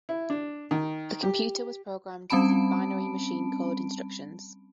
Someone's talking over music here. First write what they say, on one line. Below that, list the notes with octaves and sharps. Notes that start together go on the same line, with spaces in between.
The computer was programmed using binary machine code instructions.
E4
D4
D#3
G4
G3 C4 C#4 A5 B5 D7